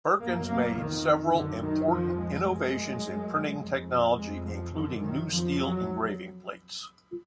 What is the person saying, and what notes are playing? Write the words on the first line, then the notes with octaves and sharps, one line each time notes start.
Perkins made several important innovations in printing technology, including new steel engraving plates.
F#2 A#3
A#3
F2 D#3
F#2 D3
D#3
F2 F3
G#3
F#2 G#3
F#2
F2
F2 G#3
F3
F#2 D3
D#3
F2 F3
F#3